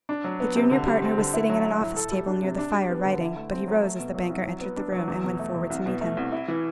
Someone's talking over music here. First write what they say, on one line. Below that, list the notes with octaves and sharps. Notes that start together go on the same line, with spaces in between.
The junior partner was sitting at an office table near the fire writing, but he rose as the banker entered the room, and went forward to meet him.
D4
F#3
B3
C3
D3
G3
C4
D3
E4
F#3
A3
A2
A4
G3
D4
C3
D4
G3
B3
D3
E4
A3
C4
F#3
A3
B2
F#3
C2
F#3
B3
D4
F#3
E2
B2
A3
E2
C2
B2
A3
C2
E4
E3